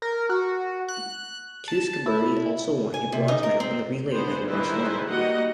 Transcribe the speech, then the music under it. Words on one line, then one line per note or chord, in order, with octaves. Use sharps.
Tewksbury also won a bronze medal in the relay event in Barcelona.
A#4
F#4
F#6
A5
E4
G#5
C3
D#4
A#4
C4
B3 D4 G#4 C5
D#3 G3 E4 G#4 B4 C5
G3 A#3 D#4 F#4 D#5 F#5